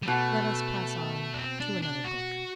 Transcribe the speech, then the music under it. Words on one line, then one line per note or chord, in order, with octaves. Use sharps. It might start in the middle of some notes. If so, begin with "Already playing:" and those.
Let us pass on to another book.
G3
B2 A3
D4
C4
D4
D4
F#4